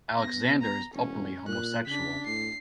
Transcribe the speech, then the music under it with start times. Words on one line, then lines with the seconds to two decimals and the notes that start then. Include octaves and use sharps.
Alexander is openly homosexual.
0.18 B3 A#6
0.62 A#5
0.93 E1 C#4
1.48 A#2 F#6
1.87 C#3 D4 B6
2.26 A2 C7